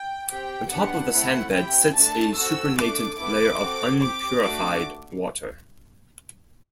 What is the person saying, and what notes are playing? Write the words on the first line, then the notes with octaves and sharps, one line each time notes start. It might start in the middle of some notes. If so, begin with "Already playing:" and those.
On top of the sand bed sits a supernatant layer of unpurified water.
Already playing: G5
C4 G4 G5
B3 D4 G4 F#5
A3 C4 E4 A4 F#5
C4 E4 G4 G5
A3 D4 A4 A5
C4 F#4 A4 E6
A3 D4 A4 D6
B3 E4 A4 D6
C4 F#4 A4
C4 G4 D6
A3 D4 F#4 A4 D6